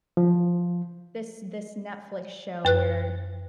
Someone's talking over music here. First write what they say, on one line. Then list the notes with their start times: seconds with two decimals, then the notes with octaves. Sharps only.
this this Netflix show where
0.17 F3
2.65 F#2 B4 F#6